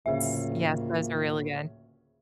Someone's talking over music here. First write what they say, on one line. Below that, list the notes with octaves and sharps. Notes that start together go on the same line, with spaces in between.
Ts Yes. Those are really good.
D1 A#2 C#3 G#4 E5